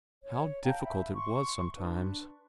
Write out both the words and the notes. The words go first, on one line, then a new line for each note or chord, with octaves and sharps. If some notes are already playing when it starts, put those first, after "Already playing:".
How difficult it was sometimes.
C#5
F5 G5 A5 A#5
E5 B5
C6 C#6
D4 B4